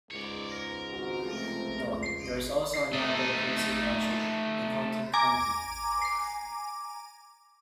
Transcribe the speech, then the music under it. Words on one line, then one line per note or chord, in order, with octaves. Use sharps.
Note: there is also another Quincy Township in Houghton County.
C#2 G#2 C#5 D5
A#4
G#1 C4 F#4
C3 F3 A3 C4
A3 D#4
G#5 A#5 D6